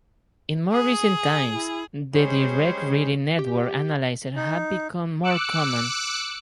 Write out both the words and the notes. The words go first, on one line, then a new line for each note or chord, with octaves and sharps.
In more recent times the direct reading network analyzers have become more common.
G#4 D#6
E4
G3 G#3 C#4 G#4 C5
G4
D#4
D6 E6 F#6 C#7